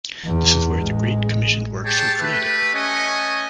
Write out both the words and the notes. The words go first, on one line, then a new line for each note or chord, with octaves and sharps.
This is where the great commissioned works were created.
E2
A1 G#3
G4 G#4 C#5 G5 A5
A3 G4 B4
A3 C#4 B4 D#5 G#5 C#6